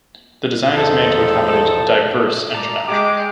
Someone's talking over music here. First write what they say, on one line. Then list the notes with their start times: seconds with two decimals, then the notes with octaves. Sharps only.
The design is made to accommodate diverse engine options.
0.74 E2 F3 D#4 A4
2.55 D5 A5 A#5
2.88 G#3 G5 D6